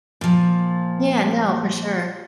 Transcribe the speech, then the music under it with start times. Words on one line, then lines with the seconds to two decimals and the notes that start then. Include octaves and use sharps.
Yeah, no, for sure.
0.21 A#2 F3